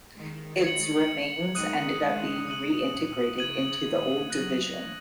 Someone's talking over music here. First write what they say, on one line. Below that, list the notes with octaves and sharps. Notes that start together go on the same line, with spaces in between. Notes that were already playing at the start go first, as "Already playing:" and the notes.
Its remains ended up being reintegrated into the old division.
D#3 G#3
G#6 C#7 F#7
D#3 G#3 D#6 F#6 D#7 F#7
D#3 G#3
C#3 D#6 F#6 D#7 F#7
A#2
C#3 G#6 D#7 F#7
A#2 D#3
C#3 F#3 F#6 A#6 D#7